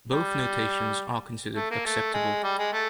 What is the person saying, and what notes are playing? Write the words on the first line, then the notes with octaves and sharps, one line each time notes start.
Both notations are considered acceptable.
G3
A3
A#3
A3
G#3
G3
G#3
A3